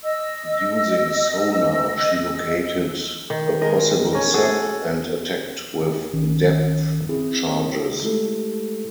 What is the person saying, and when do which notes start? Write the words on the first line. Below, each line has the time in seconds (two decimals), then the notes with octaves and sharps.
Using sonar she located a possible sub, and attacked with depth charges.
0.03 D#5 E6
3.30 D#3
3.61 G#3 A#4 D#5
4.13 C#4 A#4
4.33 F#4 G#4 A4
6.13 A#1 D#3 C#4
7.09 C4 E4 G#4
8.03 G#3 A3 E4 G4 A4